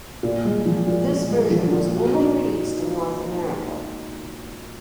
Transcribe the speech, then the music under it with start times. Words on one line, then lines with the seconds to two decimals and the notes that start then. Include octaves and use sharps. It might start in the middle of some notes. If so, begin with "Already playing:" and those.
This version was only released in North America.
0.23 A#2
0.45 G#3
0.66 F3
0.87 A#2
1.08 A#2
1.29 G#3
1.50 F3
1.72 A#2
1.93 F#4
2.14 D#4